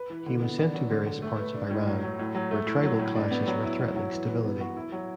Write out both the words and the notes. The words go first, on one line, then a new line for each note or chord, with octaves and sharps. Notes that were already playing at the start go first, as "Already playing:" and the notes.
He was sent to various parts of Iran where tribal clashes were threatening stability.
Already playing: B4
E3
D3
B3
D4
F#3
D3
D3
A3
B4
D4
A2
F#3
F#3
A2
F#3
A3
E4
F#3
A2
D4
B3
F#3
E4
F#3
F#3
E3
E3
B3
F#4
E4
F#3